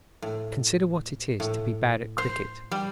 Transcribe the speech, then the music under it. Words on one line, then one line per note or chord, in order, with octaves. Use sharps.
Consider what it is to be bad at cricket.
A2
A2
C5
G3